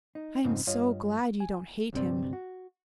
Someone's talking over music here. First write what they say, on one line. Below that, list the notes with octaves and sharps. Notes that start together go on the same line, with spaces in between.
"I am so glad you don't hate him."
D#4
F2 G#2 C#3 F3 C4 D#4
G2 F4 C#5 D#5 F5
G#5
D2 G2 C3 C4 D5
F#4